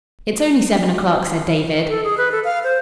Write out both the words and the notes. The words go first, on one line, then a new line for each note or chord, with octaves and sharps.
"It's only seven o'clock," said David.
A4
G#4
B4
A4
F5
C5